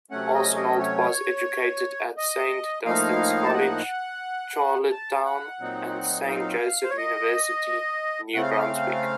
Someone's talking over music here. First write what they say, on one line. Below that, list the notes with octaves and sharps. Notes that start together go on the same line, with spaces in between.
Arsenault was educated at Saint Dunstan's College, Charlottetown, and Saint Joseph University, New Brunswick.
C3 F#3 A3 C#4 F#5
D#5
D#5
C#5
D#5
A2 F3 A#3 D#4 F5
A5
F#5
A5
F#5
A#2 F#3 C4 D#4
F5
C5
C#5
D#5
C#3 A3 C4 F#5
F5
D#5
F5